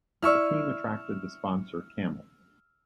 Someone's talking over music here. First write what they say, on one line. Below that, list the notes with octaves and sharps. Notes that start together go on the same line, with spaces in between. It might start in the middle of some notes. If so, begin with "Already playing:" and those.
The team attracted the sponsor Camel.
E4 D5 C#6 E6 F6